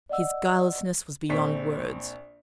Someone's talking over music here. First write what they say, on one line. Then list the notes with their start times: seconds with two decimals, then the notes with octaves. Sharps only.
His guilelessness was beyond words.
0.09 D5 D#5 F#5 E6
1.30 A#1 C4 C#6 B6